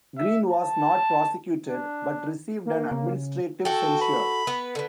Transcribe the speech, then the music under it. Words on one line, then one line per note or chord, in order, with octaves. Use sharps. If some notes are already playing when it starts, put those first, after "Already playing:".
Green was not prosecuted, but received an administrative censure.
E5
A5
D4
A#3
C#3
F#4 A4 G5
B5
B3 B4
D3 B3